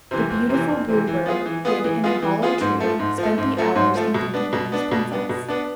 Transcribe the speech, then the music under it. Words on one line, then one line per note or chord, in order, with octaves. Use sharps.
The beautiful Blue Bird, hid in a hollow tree, spent the hours in thinking of his princess.
C3 E3
F2
C3 E3
F2
C3 E3
E3
B3 F4 G#4
E3
B3 F4 G#4
E3
B3 F4 G#4
E3
B3 F4 G#4
G#2
F3 A3
G#2
F3
A3
G#2
F3 A3
G#2
F3 A3
B2
B3 D4
B2
B3 D4
B2
B3 D4
B2
B3 D4